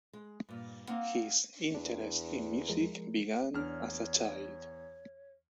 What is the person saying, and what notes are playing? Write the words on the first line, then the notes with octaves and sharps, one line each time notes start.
His interest in music began as a child.
G#3
G2 A#2
A#3 C4 D#4 F5 F#5
E2 D4
F3 G#3 A#4
E2 D4 C#5 F6